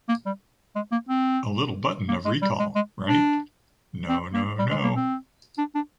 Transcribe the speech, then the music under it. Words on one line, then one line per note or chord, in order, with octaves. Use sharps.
The little button of re-call, right? No, no, no ...
A#3
G3
G#3
A#3
C4
A#3
G#3
G3
G#3
G#3
D4
C4
A#3
G3
G#3
A#3
C4
D4
D4